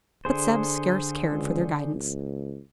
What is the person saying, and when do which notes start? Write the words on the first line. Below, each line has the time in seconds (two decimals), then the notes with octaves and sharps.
But Zeb scarce cared for their guidance.
0.25 D3 G#4 C5
1.30 C#2
1.88 C#2